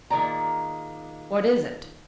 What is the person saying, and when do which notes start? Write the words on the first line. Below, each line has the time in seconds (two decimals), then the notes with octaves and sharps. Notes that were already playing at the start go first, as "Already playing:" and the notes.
"What is it?"
0.10 A#2 D#3 G#3 D5 A#5